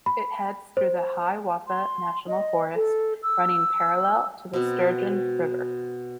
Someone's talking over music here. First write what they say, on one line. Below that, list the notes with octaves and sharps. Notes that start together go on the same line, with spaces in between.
It heads through the Hiawatha National Forest, running parallel to the Sturgeon River.
B5
C5
C6
D#5
A4
E6
B2 C4